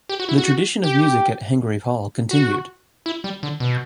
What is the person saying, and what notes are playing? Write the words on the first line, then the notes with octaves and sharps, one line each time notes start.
The tradition of music at Hengrave Hall continued.
G4
F#4
E4
F#4
G4
F#4
E4
G3
D3
B2